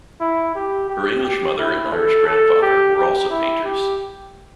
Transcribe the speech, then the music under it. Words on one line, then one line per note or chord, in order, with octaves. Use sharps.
Her English mother and Irish grandfather were also painters.
E4
G4
G4
G4
E4
A4
A4
G4
G4
E4
G4